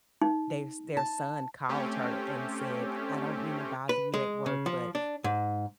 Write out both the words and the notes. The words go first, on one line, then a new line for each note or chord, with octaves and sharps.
their s their son called her and said, "I don't mean to bother you at work, but
D#4
A5
A3 C4 C#4 G4
B4
G#3
C#3
F3
D4
G#2